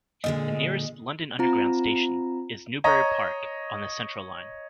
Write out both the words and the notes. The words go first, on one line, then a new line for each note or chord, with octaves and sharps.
The nearest London Underground station is Newbury Park on the Central line.
A#2 D3 G#3 D#5
C4 F4 A#5
C#5 D#5 A#5